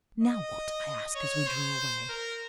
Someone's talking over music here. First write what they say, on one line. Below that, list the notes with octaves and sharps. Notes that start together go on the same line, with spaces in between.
"Now what?" I asked, as we drew away.
D#5
C#5
C5
A#4